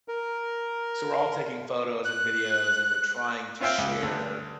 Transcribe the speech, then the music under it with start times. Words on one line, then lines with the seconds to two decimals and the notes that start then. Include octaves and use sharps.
so we're all taking photos and videos, and we're trying to share,
0.08 A#4
2.05 F#6
3.60 C4 F4 C#5 E5 F5 G5
3.78 C#2
4.03 D2